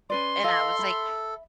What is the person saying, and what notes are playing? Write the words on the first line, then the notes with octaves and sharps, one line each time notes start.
And I was like,
C#4 B4 D5 C6
A4 D#5 F5
E5 B5